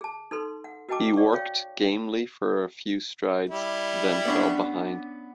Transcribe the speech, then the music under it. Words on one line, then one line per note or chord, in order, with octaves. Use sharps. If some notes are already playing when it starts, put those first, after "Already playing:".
He worked gamely for a few strides, then fell behind.
G#4 A5
D#4 A4 B4 C6
F#5
F#4 B4 D#5 G5 A5 D6
D5 C#6
C#5 F5 G5
G3 E4
B3 C#4 D4